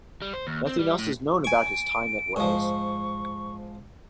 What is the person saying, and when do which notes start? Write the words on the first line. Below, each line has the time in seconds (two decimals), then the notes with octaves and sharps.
Nothing else is known about his time at Wells.
0.22 G3
0.33 C5
0.47 D#2
0.67 C4
0.79 G3
0.98 A2
1.44 G#5 C#6 D7
2.36 G#2 F3 C#6